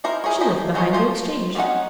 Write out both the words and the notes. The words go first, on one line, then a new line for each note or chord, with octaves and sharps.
She lived behind the Exchange.
D#4 E4 A#4 C5
E4 G#4 A#4 C#5
F3 G4 D#5 B5
F#3 G#3 D#4 C5 C#5
F3 A3 F4 C5
G3 C4 C#4 D#4 F#5